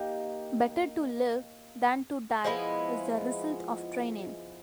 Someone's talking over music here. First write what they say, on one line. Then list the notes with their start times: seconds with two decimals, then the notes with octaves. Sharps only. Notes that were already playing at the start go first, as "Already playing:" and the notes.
Better to live than to die is the result of training.
Already playing: A#3 D#4 G4
2.44 F3 G#3 B3 E4